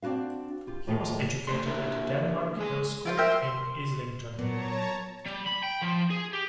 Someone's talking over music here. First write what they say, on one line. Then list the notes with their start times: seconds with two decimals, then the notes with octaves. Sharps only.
He was educated at the Denmark Hill school in Islington.
0.02 C4 D4 F4 F#4 F5
0.67 F4 G4
0.87 D#2 A2 F4 G#4
1.47 A3 C5 D5 C6
1.66 A#3 D4 E4 G4 A#4
2.57 G#3 G#4 G#5
3.05 E4 F4 C5
3.17 A#4 C5 E5 G5
3.31 C6
4.39 A#2 F#3 B3 C#5 A5 A#5
5.26 G3
5.47 B5
5.64 G5
5.82 F3
6.10 G#4
6.33 G4